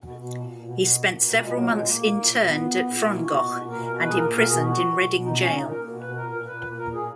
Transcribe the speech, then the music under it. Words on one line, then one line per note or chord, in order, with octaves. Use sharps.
He spent several months interned at Frongoch and imprisoned in Reading Jail.
B2
B2
A#2
A#2
B2
B2
A#2
A#2
B2
B2 G#3
A#2 F#3
A#2 G#3
A#2 A#3
A#2
A#2
A#2
A#2 B3
A#2
A#2
A#2
B2 E4
B2 F#4
A#2
A#2
B2 A#4
B2
A#2 B4
G#4
A#2 A#4
B2 A#4
B2 G#4
A#2 F#4
A#2
B2
B2
A#2 D#4
A#2 C#4
A#2 D#4
A#2 A#4
B2
B2 B4
A#2 A#4
A#2
A#2 B4
A#2
A#2 A#4
A#2 G#4